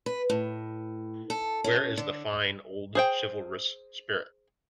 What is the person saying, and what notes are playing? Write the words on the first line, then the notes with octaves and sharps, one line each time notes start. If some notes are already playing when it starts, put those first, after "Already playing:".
Where is the fine, old, chivalrous spirit?
B4
A2
A4
C#4
D3
G#4 C5 G5